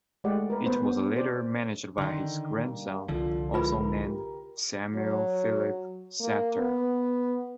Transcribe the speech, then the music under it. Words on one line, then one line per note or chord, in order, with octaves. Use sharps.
It was later managed by his grandson, also named Samuel Philip Sadtler.
G#3 A3 G4 D5 D#5 F#5
A#4 B4
A#3 B3 B4 C5
B3
C5 D5
D3 D#3 C6
G3 A#3
C2 D3 F3 F4
G#3 E4 F4 A#4 B4 B5
G4 A#4
F#3
A#3
B3